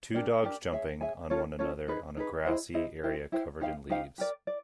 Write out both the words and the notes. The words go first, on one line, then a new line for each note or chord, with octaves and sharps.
Two dogs jumping on one another on a grassy area covered in leaves.
D4 G4 A#4 D5
D4 G4 A#4 D5
G#4 C#5 E5 G#5
G#4 C#5 E5 G#5
C#4 F4 A4 C#5
C#4 F4 A4 C#5
D#4 G#4 B4
D#4 G#4 B4
E4 G#4 C5 D#5
E4 G#4 C5 D#5
E4 G4 C5
E4 G4 C5
D#4 G4 C5 F5
D#4 G4 C5 F5
G4 A#4 D5
D5